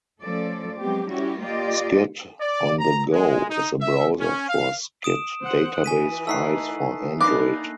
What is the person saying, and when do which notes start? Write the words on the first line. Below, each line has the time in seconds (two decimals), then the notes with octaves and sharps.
Scid on the go is a browser for Scid database files for Android.
0.21 F3 A3 C#4 A4 D5
0.78 F#3 G#3 B3 C4 G4
1.07 G3 C#4 E4 F#4 G4
1.40 A#3 F4 G4 D5 D#5
2.41 D5
2.79 A#5
3.12 G#3
3.49 D#4
3.80 E5
4.19 C#4
4.49 F5
5.04 D#6 D7 E7
5.43 C5 F#5
5.84 E3 G#5 B6 D#7
6.27 A3 D#4 F#5 E6 B6 C7
7.21 A#3 D4 D#4 B5 D6 F#6 A#6 C7